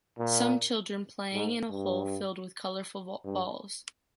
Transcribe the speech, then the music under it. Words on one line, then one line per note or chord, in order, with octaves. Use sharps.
Some children playing in a hole filled with colorful balls.
A#2
G#2
G2
G2